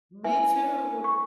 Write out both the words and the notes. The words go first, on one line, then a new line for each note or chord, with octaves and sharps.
Me too.
E4 B4 E5 G#5
C#6